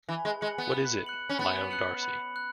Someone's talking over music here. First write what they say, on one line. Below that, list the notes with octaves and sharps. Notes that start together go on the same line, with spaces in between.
What is it, my own Darcey?
E3 B5
G#3
G#3 F#6 C#7 F#7
B3
B5
F#6 C#7 F#7
C#4
B3 B5
F#6 C#7 F#7
B5
F#6